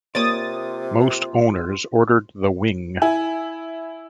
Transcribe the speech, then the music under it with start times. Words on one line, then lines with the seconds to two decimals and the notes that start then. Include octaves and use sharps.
Most owners ordered the wing.
0.15 C3 A#3 F4 C#5 D5 D#6 A6
3.02 E4 G#5